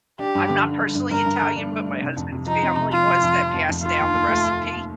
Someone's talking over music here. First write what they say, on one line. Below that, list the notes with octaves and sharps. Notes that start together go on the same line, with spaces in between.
I'm not personally Italian, but my husband's family was, that passed down the recipe.
D4 G4
G2
D3
D3
D3
G2
G2 A#4
G2
D3
D4
A3
D4
C3
F2
C3
F3 D#4
C4
C3
F3 F4
C3
F2
C4
F2
F2
F1 F4
D#2
D#2
A3